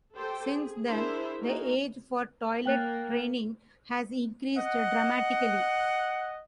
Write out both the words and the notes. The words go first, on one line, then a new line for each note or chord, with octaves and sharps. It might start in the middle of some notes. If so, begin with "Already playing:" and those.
Since then, the age for toilet training has increased dramatically.
G4 A4 C5 G5
G#4
D4 E4 G#4 A#4 C5 E5
A#3 D#4 F#4 G#4 A#4
A#3 G5 F#6 A6
D#5 F#5